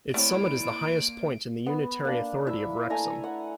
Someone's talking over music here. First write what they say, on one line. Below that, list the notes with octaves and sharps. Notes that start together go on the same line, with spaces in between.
Its summit is the highest point in the unitary authority of Wrexham.
A3 A#3 C4 E4 C#5 D5 D7
B3
A#3 D4
E4 E5
A3 A4 G#5 A#5
F#5